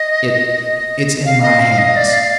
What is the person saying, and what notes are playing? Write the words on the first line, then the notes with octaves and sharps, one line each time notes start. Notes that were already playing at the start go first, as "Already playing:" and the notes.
It--it's in my hands.
Already playing: D#5
F5
D#5
F5
D#5
D5
F5